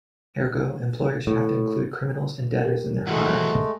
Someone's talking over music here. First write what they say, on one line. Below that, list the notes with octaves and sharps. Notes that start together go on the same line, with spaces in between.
Ergo, employers should have to include criminals and debtors in their hiring.
A2
G4 A#4
E3 G#3 A3 F#4